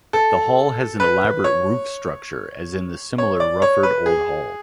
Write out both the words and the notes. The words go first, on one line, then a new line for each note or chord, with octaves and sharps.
The hall has an elaborate roof structure, as in the similar Rufford Old Hall.
A4
B4
C#5
C#5
D5
C#5
B4
G#4